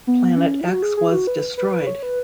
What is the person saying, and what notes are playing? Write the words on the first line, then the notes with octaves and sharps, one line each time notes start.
Planet X was destroyed!
B3
C#4
E4
F#4
G#4
G#4
F#4
B4
B4
B4
C#5
B4